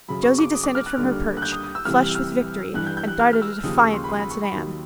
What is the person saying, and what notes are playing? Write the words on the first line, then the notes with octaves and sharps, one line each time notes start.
Josie descended from her perch, flushed with victory, and darted a defiant glance at Anne.
F#2 C#3 F#3 B5
C#6
D6
D#6
D6
F6
F#6
D#2 D3 G3
F#6
G6
D#6
D#6
E6
C2 C3 E3 F6
F6
G2 E3 G3 F#6
G6
G6
F#6
F6
F6
E6
D#2 C#3 F3 D#6
C#6
C6
B5
C6
B5
C#6
B5
D#2 D#3 F#3 C6